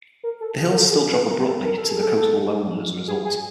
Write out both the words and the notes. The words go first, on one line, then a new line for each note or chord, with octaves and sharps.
The hills still drop abruptly to the coastal lowland as a result.
A#4
A4
G#4
A#4
A4
G#4
A4
B4
A#4
A4
A#4
A4
G#4
A4
G#4
G#4